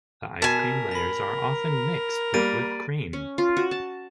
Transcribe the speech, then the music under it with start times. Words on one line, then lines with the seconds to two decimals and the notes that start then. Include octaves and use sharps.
The ice cream layers are often mixed with whipped cream.
0.42 B2 A#4 G#5 A5 B6
0.91 A#5 B5
2.34 G3 A#3 A6 D7 D#7
3.13 C#4
3.38 F4
3.57 F#4
3.71 A5